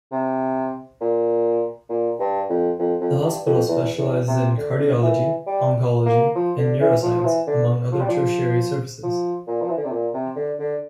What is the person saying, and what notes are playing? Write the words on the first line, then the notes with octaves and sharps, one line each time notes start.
The hospital specialises in cardiology, oncology, and neuroscience, among other tertiary services.
C3
A#2
A#2
G2
F2
F2
F2
G2
F2
E2
E2
C3
D3
E3
G3
A#3
F3
D3
E3
F3
F3
E3
D3
F3
G3
F3
F3
A#2
F3
E3
D3
C3
A#2
C3
D3
D3